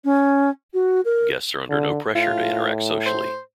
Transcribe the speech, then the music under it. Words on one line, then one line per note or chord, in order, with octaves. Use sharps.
Guests are under no pressure to interact socially.
C#4
F#4
A#4
D3
A2 F4
C5